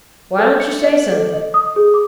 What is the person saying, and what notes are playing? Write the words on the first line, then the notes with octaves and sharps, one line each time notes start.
"Why don't you say something?"
A4
C#7
D#5
F#7
A4
D#5
D#6
G#4
D6